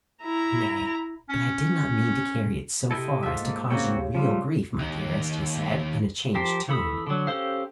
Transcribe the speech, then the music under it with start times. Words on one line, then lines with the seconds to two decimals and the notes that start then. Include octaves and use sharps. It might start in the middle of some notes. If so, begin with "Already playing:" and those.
"Nay, but I did not mean to carry it so far as to cause you real grief, my dearest," he said, in a changed tone.
0.23 E4 A#5
1.29 C#4
2.91 C3 E4 A4 D#5 G5
3.23 G#2 F4 E5
3.39 A#3
3.70 C#3 A#3 C4 F#4 B4 G5
3.95 D#2
4.15 F3 G3 A3 F4
4.79 D#2 D#4
6.35 F3 G4 A#4 C5
6.69 E3 A4 B5 D#6
7.07 D3 F#3
7.27 C#4 G4 A4 C5 F5